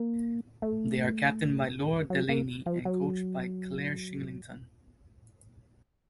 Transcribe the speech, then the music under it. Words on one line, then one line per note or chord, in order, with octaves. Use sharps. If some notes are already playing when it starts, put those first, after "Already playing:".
They are captained by Laura Delany and coached by Clare Shillington.
Already playing: A#3
A3
F#3
A#3
F3
F#3